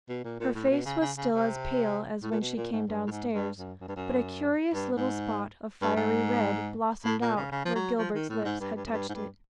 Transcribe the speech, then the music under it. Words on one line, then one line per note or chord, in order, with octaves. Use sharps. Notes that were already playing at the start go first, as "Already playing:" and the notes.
Her face was still as pale as when she came downstairs, but a curious little spot of fiery red blossomed out where Gilbert's lips had touched it.
B2
A#2
A#2
A2
B2
C#3
C#3
C#3
C3
A2
A#2
B2
A#2
G#2
G2
A2
G#2
G2
F#2
F#2
G2
F#2
G2
G#2
G2
G#2
A2
A#2
C#3
C#3
F3
F#3
F3
D#3
A2
G#2
G2
G2
F#2
G2
G#2
G2